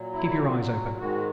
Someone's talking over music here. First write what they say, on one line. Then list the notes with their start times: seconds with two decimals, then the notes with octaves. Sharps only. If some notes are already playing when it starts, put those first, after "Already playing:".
Keep your eyes open.
Already playing: A#2 F#3
0.13 E4
0.98 G#2 D#3 G#3 F#4